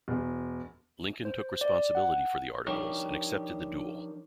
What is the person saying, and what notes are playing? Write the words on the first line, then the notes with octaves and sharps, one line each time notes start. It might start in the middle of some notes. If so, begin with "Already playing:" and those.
Lincoln took responsibility for the articles and accepted the duel.
E1
C5
D5
F#5
F3 D4 D#4 G4 A#4 C#5